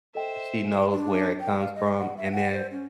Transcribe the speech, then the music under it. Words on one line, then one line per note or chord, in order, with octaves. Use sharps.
she knows where it comes from, and then
A4 C5 D#5 E5 G5
D4
G5
F5
D#5
F#5
E5
F#5
C5
C#4